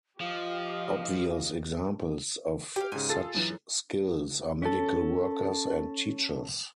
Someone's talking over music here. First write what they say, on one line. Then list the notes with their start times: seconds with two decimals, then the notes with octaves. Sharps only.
Obvious examples of such skills are medical workers and teachers.
0.21 F3 F4 G4 D#5 F5
2.76 G4 F5 G5
2.92 G#2 C#3 G#5
3.09 F4 G#4 A4 A6
3.34 F#2 E3
4.62 C#4 A4